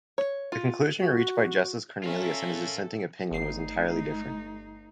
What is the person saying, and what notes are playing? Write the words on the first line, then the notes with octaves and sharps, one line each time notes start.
The conclusion reached by Justice Cornelius in his dissenting opinion was entirely different.
C#5
F4
F#4
C#4 F4 A4 A#4 E5
G1 A3 D#4 C7